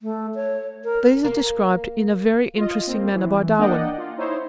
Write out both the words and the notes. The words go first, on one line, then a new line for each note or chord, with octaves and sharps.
These are described in a very interesting manner by Darwin.
A3
C#5
A#4
A#3
F4 D#5
A#3 C4
E3
A#3 D4 D5 D#5 F#5 G5
F4
D#4 E4 C5 C#5